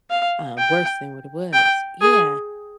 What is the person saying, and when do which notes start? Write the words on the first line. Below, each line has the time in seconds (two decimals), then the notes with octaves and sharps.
uh, worse than what it was Yeah.
0.10 F5
0.58 G5
1.53 G5
2.01 G#4